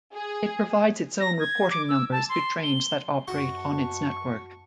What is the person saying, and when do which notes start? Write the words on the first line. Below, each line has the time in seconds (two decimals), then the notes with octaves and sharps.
It provides its own reporting numbers to trains that operate on its network.
0.14 G#4
1.20 A#6
1.40 G#6
1.70 D6
1.89 E6
2.12 A5
2.29 C6
2.63 G7
3.28 F#2 F#4 C#6
3.57 A5